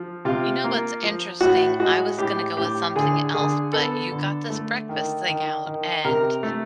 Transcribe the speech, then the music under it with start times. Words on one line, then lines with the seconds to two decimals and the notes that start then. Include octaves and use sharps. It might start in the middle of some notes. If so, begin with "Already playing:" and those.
You know what's interesting? I was gonna go with something else, but you got this breakfast thing out and
Already playing: F3
0.25 C3 F4
0.64 A#3
1.03 F3
1.41 A2 F#4
1.80 G#3 F#4
2.18 A2 G4
2.57 A2 G4
2.95 D3 G#4
3.34 D3 G#4
3.73 B3 A4
4.11 D3
4.50 A3
4.89 D#3
5.28 D#3
5.66 D#3
6.05 C3 A#4
6.43 A3